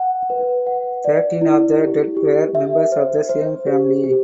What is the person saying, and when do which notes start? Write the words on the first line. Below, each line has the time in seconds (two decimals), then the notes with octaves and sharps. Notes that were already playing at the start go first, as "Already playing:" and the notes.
Thirteen of the dead were members of the same family.
Already playing: F#5
0.30 B4
0.66 F#5
1.05 D5
1.41 E4
1.79 G4
2.17 G4
2.55 E5
2.92 C5
3.29 C5
3.67 G4
4.04 G4